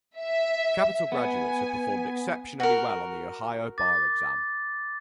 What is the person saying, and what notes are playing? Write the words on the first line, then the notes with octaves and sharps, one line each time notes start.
Capital graduates have performed exceptionally well on the Ohio bar exam.
E5
B3 G#5
F#4 A#4
D6 A6